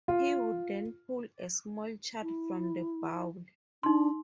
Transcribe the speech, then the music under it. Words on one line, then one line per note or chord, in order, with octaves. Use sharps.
He would then pull a small child from the bowl.
F4
E4
D4 D#4 C6